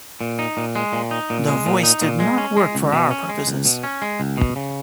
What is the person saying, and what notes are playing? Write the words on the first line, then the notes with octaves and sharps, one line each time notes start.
The voice did not work for our purposes.
A#2
D#4
A#2
G#3
A#2
D#4
A#2
G#3
A#2
D#4
A#2
G#3
C#4
G#3
C#2
B2
C#4
G#3
C#2
B2
C#4
G#3
C#2
B2
C#3